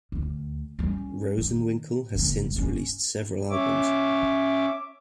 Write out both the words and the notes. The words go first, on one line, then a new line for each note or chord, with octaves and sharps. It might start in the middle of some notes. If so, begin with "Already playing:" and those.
Rosenwinkel has since released several albums.
D2
G3 C#4
D#3
F#1 F#2
G#2 C#4
C#4 C#5 E5 D6